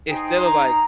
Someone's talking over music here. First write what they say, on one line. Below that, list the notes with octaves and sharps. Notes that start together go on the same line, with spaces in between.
instead of, like,
D#4 G#4 C5 G5
G5
C6
A#5